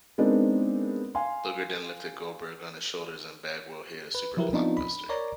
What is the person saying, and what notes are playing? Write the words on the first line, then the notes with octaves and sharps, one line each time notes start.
Luger then lifted Goldberg on his shoulders and Bagwell hit a Super Blockbuster.
G#3 B3 C4 D4 D#4 A#4
F5 G#5 C6
B4
F3 F#3 E4 G4 A#4 B4
F3 B3 C4 D4 D#4 F4
B5
A#4 C#5 D5 A#5